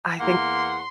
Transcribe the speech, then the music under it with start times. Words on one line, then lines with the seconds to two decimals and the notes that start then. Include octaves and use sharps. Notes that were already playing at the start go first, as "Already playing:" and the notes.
I think
0.20 E2 A#3 F#5 C6